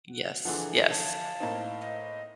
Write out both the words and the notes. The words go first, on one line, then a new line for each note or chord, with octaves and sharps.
Yes, yes.
F#5
D3 E3 F3 G#4 A#4 F#5
F5 A5 G#6 C#7
A2 A#3 C4 D#4
D#5